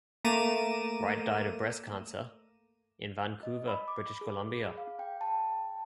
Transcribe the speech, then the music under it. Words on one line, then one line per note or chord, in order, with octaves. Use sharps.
Wright died of breast cancer in Vancouver, British Columbia.
A3 A#3 A#5 D6 D#7 E7
D#5
B5
D6
G#4
F5
G5
A5